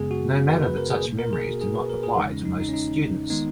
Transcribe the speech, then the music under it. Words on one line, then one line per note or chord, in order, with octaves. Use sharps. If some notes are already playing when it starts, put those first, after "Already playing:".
No matter that such memories do not apply to most students.
Already playing: F#2 C#3 G#3 B3 G#4
F#4
B4
B4
A#4
G#4
B2 A#3
A#4
G#4
F#4
G#4
B4
A#4
G#4
E2 C#3 E3 G#3 D#4
C#4
D#4
D#4
C#4
D#4
D#3 G#3 B3 D#4